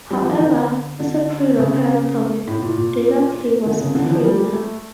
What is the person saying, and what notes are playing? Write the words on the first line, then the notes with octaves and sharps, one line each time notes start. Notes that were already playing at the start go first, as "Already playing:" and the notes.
However, as a pre-recorded format, DataPlay was a failure.
G3
F3
E3
D3
D3
C#3
A2
A#2
A#2
D3
C#3
D3
E3
F3
G3
G3
A3